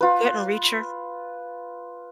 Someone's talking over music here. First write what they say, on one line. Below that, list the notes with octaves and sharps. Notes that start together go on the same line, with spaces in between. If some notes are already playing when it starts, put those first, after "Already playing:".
Didn't reach her.
F4 B4